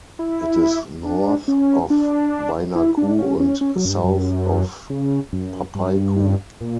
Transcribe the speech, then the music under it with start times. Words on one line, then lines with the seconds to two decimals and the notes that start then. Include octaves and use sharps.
It is north of Wainaku and south of Papaikou.
0.19 E4
1.05 D4
1.48 C#4
1.90 D4
2.75 E4
2.98 D4
3.18 C#4
3.40 C#4
3.61 C#4
3.76 F#3
3.85 F#2
3.90 G2
4.04 F#2
4.90 C#3
5.33 F#2
5.75 G2
6.61 A#2